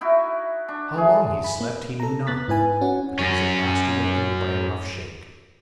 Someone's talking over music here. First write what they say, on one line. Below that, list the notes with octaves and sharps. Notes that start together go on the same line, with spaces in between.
How long he slept he knew not, but he was at last awakened by a rough shake.
D#4 E4 F#4
D4
G#3 A3 G#4
B5
A#3
A4 A#5
B3 F#6 A6 B6
G#2 E4 B4 G#5
C#4 F#4 F#5
F#2 C#4